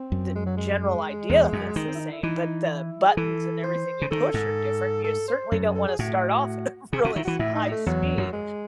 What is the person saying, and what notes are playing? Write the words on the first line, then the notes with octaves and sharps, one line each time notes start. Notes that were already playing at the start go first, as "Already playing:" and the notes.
the general idea of it's the same, but the buttons and everything you push are different, and you certainly don't wanna start off of really s high speed.
Already playing: C4
F#2
G#3
F#3
G#3
E2
F#2
D#3 G#3
C4
E4
D#4
E4
E3 D#4
E4
G#4
E3 A4
C5
C#3
D#3 A4
G#2
A4
C5
F#2 A4
G#4
A4
G#4
A2 F#4
C3 G#4
C3 F#4
D#3 E4
E3 F#4
A2 E4
D#4
A3
E2 F#3
E2
F#2
G#3